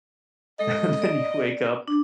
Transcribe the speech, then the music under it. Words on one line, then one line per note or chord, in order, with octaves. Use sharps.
and then you wake up,
G#3 A4 D#5
D5
D4